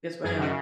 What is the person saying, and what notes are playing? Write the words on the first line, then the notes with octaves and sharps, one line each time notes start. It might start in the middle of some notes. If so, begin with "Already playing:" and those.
Yes, ma'am.
F#2 G#4
C#3 F#4